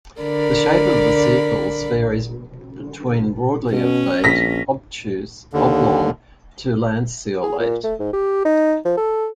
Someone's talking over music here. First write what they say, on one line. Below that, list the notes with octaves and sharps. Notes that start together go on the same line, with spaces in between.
The shape of the sepals varies between broadly ovate, obtuse, oblong to lanceolate.
D3 A#4 D5 B5
B2 C#4
A#1 A#6 B6
D#2 D3
G#4
A#2
A3
G#2
G4
D#4
F3
A4